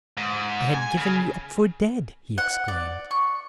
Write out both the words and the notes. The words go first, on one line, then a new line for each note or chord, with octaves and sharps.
"I had given you up for dead," he exclaimed.
G#2
G#5
C#3
F#5
D5
C#6